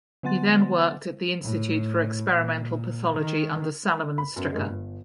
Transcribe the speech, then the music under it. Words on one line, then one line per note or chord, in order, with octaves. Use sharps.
He then worked at the Institute for Experimental Pathology under Salomon Stricker.
D3 F#3 B3 F#5 C6 A6
A2
A#2
D#3
B5
F#2 B3
G2 D#3 G#3
G1